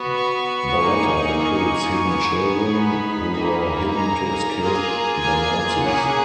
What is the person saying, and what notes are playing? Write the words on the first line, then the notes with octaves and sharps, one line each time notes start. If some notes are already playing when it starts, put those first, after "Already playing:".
The latter includes Hidden Children, who were hidden to escape the Nazis.
Already playing: B3 F#4
C#6
A#3 D#4 G#4
C#6
B3 D#4 G#4
B5
A#3 D#4 G#4
A#5
A#3 F4 G#4
G#5
A#3 C#4 G#4 F#5